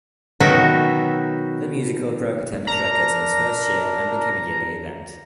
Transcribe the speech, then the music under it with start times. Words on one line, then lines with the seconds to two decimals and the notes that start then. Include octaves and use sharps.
The musical broke attendance records in its first year and became a yearly event.
0.40 B2 D#3 F#3 D#4 F#4 E5
2.67 D4 A#4 A#5